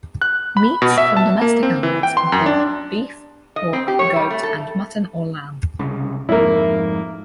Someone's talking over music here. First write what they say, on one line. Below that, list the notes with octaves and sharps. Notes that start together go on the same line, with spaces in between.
Meats from domestic animals include beef, pork, goat and mutton or lamb.
F#6
B5
B2
E5
A5
A#3
C4
E3
G5
C6
F#2
D4
D#5
C4
G4
C#5
G3
A3
A4
C2 C#3
F2 G#2 A#3 E4